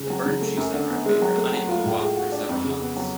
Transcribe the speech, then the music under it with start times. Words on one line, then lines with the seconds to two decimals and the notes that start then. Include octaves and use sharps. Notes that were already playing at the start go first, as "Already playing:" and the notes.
The burns she suffered made her unable to walk for several months.
Already playing: C#3
0.10 F#3
0.26 C#3
0.41 A3
0.57 F#2
0.74 D3
0.90 B3
1.05 G#3
1.22 F#3
1.37 A3
1.54 F#3
1.69 F4
1.86 A2
2.00 G#3
2.17 F#4
2.32 D4
2.49 F2
2.65 C#3
2.81 B3
2.96 F#3